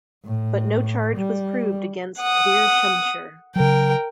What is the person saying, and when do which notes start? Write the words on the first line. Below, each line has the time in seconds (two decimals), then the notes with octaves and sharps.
But no charge was proved against Dhir Shumsher.
0.25 A2
1.17 G3
2.19 F#5 D#6
3.56 C#3 F#3 A#4 G5